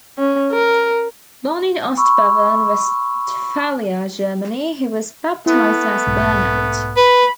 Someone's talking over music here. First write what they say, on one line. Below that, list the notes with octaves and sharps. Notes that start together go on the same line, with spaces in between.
Born in Ostbevern, Westphalia, Germany, he was baptized as Bernard.
C#4
A#4
B5 C#6 E6
A3 B3 E4
B1 G#2
B4 B5